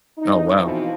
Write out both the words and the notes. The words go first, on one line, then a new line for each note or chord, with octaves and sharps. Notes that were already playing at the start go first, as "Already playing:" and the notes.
Oh wow.
D#4
F2 B2 E3 F3